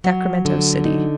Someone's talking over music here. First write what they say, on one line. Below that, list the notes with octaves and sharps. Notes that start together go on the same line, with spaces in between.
Sacramento City.
F#3
D3
D#4